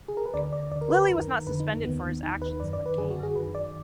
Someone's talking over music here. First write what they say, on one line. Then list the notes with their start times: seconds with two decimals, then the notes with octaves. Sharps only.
Lilly was not suspended for his actions in the game.
0.08 G#4
0.17 A#4
0.26 B4
0.34 D2 D3 D5
0.53 D5
0.72 D2 D3 D5
0.81 A#4
0.90 B4
1.09 F#2 D#3 A#4
1.47 F2 D3 B4
1.60 D#4
1.72 A#3
1.85 D#2 D#3 B3
2.23 D#2 D#4
2.27 D#3
2.42 B4
2.60 F#2 D#3 D5
2.73 D5
2.86 B4
2.98 F#2 D3 G#4
3.10 F#4
3.23 G#4
3.35 F#2 B4
3.40 D#3
3.55 D5